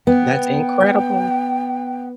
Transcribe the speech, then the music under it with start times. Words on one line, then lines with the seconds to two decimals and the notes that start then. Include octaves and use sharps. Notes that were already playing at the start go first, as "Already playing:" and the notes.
That's incredible.
0.07 B3 G5